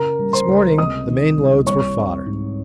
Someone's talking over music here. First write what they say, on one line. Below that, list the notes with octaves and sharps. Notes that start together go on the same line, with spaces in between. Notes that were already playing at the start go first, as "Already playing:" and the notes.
This morning the main loads were fodder.
Already playing: C#3 A#4 A#5
G3
C5 C6
C#2
C3 D#5 D#6
D#3
C2
G3 C#5 C#6
C4
G#2